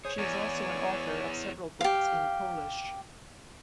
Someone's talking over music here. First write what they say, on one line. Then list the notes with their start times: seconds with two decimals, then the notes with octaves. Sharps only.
She is also an author of several books in Polish.
0.05 G#4 C5 C#5 D#6
0.18 E2 D5 G#5 C#6
1.81 G4 F5